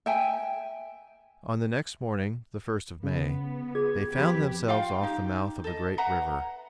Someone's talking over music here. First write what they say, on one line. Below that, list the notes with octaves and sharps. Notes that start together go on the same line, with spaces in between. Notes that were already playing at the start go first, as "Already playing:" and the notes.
On the next morning, the first of May, they found themselves off the mouth of a great river.
E5 G5 G#5
C#3 B3
G#4 G#6
F2 G4 B4
F4 F5 G5
D#4 G4
A4 D#5
B4 E5 F#5 A#5